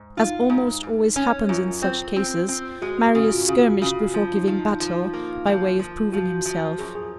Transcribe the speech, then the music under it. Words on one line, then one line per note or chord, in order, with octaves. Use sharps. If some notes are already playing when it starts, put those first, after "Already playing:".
As almost always happens in such cases, Marius skirmished before giving battle, by way of proving himself.
Already playing: G#2
D#4 F4
G#2
G#2
C#4
F#2 F4
C4
C4
C4
G#3 F#4
G#4
C#3 F#4
F4
C#3 F#4
C#3
F3 F4
D#4
F3
D#4
F3 F4
A#3
F3
F3
F3 F#4
F3
F#2 G#4
G#4